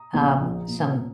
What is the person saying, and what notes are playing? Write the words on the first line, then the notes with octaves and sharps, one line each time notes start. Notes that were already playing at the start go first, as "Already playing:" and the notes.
um, some
Already playing: A#5 D#6
A#1
F3
A#2